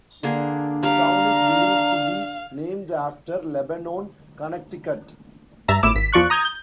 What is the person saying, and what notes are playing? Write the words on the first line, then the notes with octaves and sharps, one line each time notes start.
The town is believed to be named after Lebanon, Connecticut.
D3 A#3 D4 G#4
G3 F5 A#5
G2 E5 A5 A#5
G#1 A2 E4 D6 E7
G#1 B6
E2 F3 D5 C#6 F#6
A#5 D#6 G6 G#6
G6